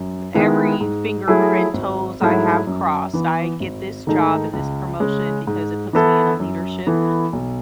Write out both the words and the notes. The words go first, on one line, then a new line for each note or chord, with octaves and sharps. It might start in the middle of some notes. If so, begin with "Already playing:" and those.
th every finger and toes I have crossed, I get this job and this promotion, because it puts me in a leadership,
Already playing: F#2
D#3 G#3 B3 E4
G#2
F#3 A3 E4 G#4
G#1
G#2 F#3 A3 E4
F#2
E3 B3
G#1
G#2 D#3 A3 D#4
C#2
C#3 G#3 C#4
G#2
E3 B3 E4 A4
F#2
E3 B3 E4 A4
B1